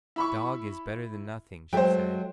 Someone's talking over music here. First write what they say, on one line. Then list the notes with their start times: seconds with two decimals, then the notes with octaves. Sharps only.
"A dog is better than nothing," she said.
0.16 E4 B5 C#6
1.73 F#3 G#3 A3 C5 G5